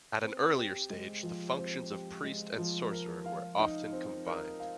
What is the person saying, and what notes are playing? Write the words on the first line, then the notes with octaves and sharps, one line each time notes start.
At an earlier stage the functions of priest and sorcerer were often combined.
C4
G4
G#3
F3
C4
G4
G#3
F3
A#4
F5
D#4
C4
A#4
F5